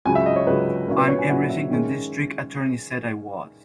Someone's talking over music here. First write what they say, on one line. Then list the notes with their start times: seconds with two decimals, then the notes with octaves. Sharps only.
I'm everything the District Attorney said I was.
0.05 C#2 C#3 F#3 G#5
0.15 E5
0.26 D#5
0.36 C#5
0.47 C#2 C#3 F#3 B4
0.87 A#2 F#3 C#4 E4 A#4
0.98 B4
1.09 C#5
1.19 G#5
1.29 A#2 F#3 C#4 E4 F#5
1.50 E5
1.71 D#3 G#3 C#4